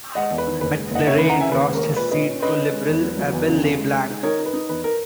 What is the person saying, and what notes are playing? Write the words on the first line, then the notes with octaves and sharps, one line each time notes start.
McFarlane lost his seat to Liberal Abel LeBlanc.
G#3 D#5 F#5
E2
B4
D#3
F#1 B4
G#3
F#1 D#5 F#5
C#3 C#5 E5
B4
E3
F#5 A#5
C#3 E5 G#5
D#2 B4
G#3
A#4
G#3
A#2 B4
C#4 B4 D#5
C#4
C#4 B4 D#5
C#4
G#3
E2
F#3
F#3
E2
C#3
C#3
G#3
G#3
D#4
D#4 A#4 C#5
D#4
B4
D#4
E2 B4
A#4